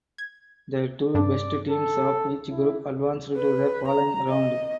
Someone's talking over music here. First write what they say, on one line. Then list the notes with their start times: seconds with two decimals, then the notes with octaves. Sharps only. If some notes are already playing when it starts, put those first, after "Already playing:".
The two best teams of each group advanced to the following round.
0.18 G#6
1.14 G2 D4 D5
1.69 A4
2.50 E4
3.37 B4
3.89 A#5
4.29 D#5